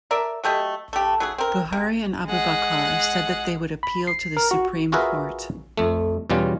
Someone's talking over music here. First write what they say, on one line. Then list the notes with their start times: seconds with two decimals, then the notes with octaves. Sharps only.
Buhari and Abubakar said that they would appeal to the Supreme Court.
0.11 A#4 D5 E5
0.44 F#3 A3 G4 D#5
0.93 A3 G4
1.20 F#3 E4 G#4
1.38 C4 A#4
1.73 C3
2.26 G#3 F#5
3.83 B5
4.07 C7
4.37 A#4
4.51 F#4
4.92 F4 F#4 G#4 A#4 B4 E5
5.77 F2 A3
6.30 E2 B2 G3 C#4 F4